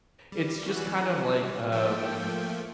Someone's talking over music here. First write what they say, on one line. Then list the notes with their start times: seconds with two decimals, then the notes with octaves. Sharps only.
It's just kind of like, um
0.32 G3
0.65 E3 C#4 F#4
1.72 F3 A3 A#3 A4 G5